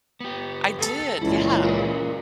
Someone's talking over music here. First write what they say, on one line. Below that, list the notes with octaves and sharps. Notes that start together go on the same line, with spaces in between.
I did, yeah.
B3 G4
A4
C#2 A#2 E3 E4
F#4 G#4 A#4